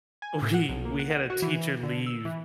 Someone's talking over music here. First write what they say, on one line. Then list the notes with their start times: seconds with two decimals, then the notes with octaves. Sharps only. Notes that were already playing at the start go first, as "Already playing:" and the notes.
We we had a teacher leave,
0.22 G#5
0.42 A2
0.54 F#5
0.69 B1
0.85 A#3
0.99 F#5
1.30 F#4
1.42 E3
1.83 D3
2.06 E6
2.25 E3